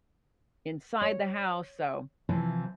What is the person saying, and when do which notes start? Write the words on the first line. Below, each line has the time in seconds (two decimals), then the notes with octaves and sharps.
inside the house, so,
1.01 C#5
2.29 C3 E3 F3 E4 B4